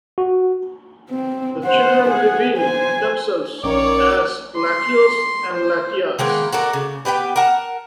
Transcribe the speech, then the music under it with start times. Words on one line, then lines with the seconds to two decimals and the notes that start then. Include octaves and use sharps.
The children revealed themselves as Latios and Latias.
0.18 F#4
1.10 C4
1.64 C5 F#5
2.09 G#4 F#5
2.57 C5 G#5
3.64 A#1 D#3 A#3 C#4 C#5 D5
4.56 C6
5.52 C5
6.19 D#3 G#3 A#3 B3
6.52 F#4 A4 A#4 D5
6.73 C#3
7.05 B3 G4 B4 G5
7.36 A#4 F#5 A5